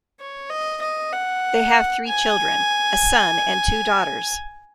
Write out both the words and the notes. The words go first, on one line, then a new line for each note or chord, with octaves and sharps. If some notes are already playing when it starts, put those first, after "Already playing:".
They have three children - a son and two daughters.
C#5
D#5
D#5
F#5
G#5